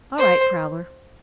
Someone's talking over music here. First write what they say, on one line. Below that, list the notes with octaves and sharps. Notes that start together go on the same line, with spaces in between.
"All right, Prowler."
C5